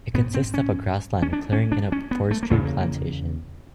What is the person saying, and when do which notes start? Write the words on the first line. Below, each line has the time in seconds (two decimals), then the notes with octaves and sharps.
It consists of a grassland clearing in a forestry plantation.
0.14 G#2 B3
0.34 C4
0.54 C#4
1.22 C#4
1.33 D4
1.53 C#4
1.72 D4
1.92 C#4
2.11 B3
2.31 A3
2.43 A#3
2.50 E2 C#3 A3
2.65 A#3
2.81 A#3